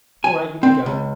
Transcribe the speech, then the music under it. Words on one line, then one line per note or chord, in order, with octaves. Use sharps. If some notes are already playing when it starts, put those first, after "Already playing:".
'All right, you may go!'
G#5
C4
C#2